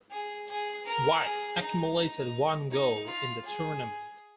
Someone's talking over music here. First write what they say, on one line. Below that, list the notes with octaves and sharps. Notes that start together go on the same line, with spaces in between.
White accumulated one goal in the tournament.
G#4
G#4
A#4
G#4
D#4
D#4
D#4
F4
G#4